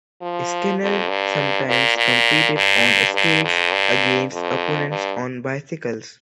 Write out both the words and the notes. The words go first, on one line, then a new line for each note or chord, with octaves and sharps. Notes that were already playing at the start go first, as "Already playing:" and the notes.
Skinner sometimes competed on skates against opponents on bicycles.
F3
F2
G2
A#2
A#2
G2
G2
F2
G2
F2
G2